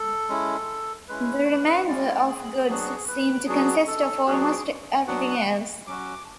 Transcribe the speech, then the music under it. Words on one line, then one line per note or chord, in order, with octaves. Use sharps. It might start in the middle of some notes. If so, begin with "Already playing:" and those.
The remainder of goods seem to consist of almost everything else.
Already playing: A4
G#3 C#4 E4
G#3 C#4 E4 B4
C#5
B4
G#3 C#4 E4 D5
G#4
F#3 B3 D4 F#4 G#4
B4
F#3 B3 D4 F#4 G#4
A4
F#3 B3 D4 F#4 G#4
F#3 B3 D4 F#4 F#5
F#3 C#4 F#4 D6